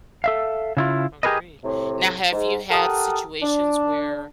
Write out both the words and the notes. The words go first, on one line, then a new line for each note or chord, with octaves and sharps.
agree. Now, have you had situations where
A4 E5 F5
C#3 E4 F4
G4 G#4 A#4 B4 D#5
A2 C3
G#2
G4 A4 A#4 F#5 D#6
D4